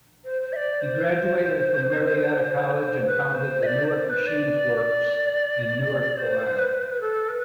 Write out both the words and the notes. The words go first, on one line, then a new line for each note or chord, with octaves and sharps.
He graduated from Marietta College, and founded the Newark Machine Works in Newark, Ohio.
C5
C5
E5
D5
C5
C5
B4
C5
E5
D5
C5
C5
B4
D5
C5
B4
C5
B4
C5
B4
A4
B4